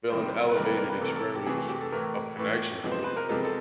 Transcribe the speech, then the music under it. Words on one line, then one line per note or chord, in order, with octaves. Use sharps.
feel an elevated experience of connection to a degree.
C3 D#3 G3 A#3 C5
B4
C3 D#3 G3 A#3 A#4
B4
A#4
B4
C3 E3 A3 A4
A#4
A4
G4
C3 E3 A3 G#4
G#4
G4
A4
A2 E3 A3 A#4
A2 E3 A3
C3 F3 G#3 B3
C5
B4
A#4
C3 F3 G#3 B3 A4
A4